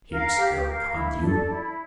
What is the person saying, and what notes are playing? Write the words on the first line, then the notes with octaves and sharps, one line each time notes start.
"Keep still, can't you?"
A#4 F5
G4
A#4 F5
E4
A4 D5
E4